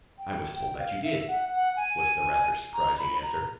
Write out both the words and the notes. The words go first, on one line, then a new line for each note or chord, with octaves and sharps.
"I was told that you did," was the rather surprising answer.
G5
G5
F5
E5
F#5
F#5
G#5
A#5
B5
A#5